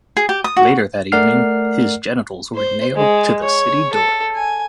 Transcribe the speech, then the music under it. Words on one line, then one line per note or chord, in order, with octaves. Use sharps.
Later that evening, his genitals were nailed to the city door.
G#4
G4
D#6
F#4
A3 A#4 D5 F#5 F6 C7
C5
G#3
C#5
A4
G#5